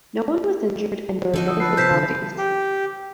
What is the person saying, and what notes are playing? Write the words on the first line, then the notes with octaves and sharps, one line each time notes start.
No one was injured and there were no fatalities.
D3 F3 D#4 F#4
D#6 E6
A4 B4 C7
C3 A5 G6 B6 C7
D3
G4